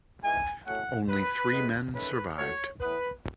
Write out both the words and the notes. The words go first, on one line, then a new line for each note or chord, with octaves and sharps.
Only three men survived.
G#2 E3 G#3 G#5
A2 F#3 A3 C#4 F#5
F#2 D#3 F#3 B4
A2 G#3 B3
D#3 A3 C#4 B4
A2 F#3 A3 C#5
A2 E3 B3 B4